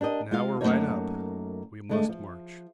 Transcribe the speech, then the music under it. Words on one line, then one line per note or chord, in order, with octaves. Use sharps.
Now we are right up, we must march.
D4 G4 A#4 D#5
G#3 F4 F5
F#2 B2 A3 A#3 D#4 C#5
D3 G#3 A3
F3